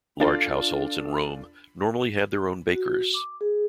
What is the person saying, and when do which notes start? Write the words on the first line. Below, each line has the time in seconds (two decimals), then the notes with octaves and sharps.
Large households in Rome normally had their own bakers.
0.20 D4 F4 A4 A6
2.74 F#4
3.14 D6
3.41 G#4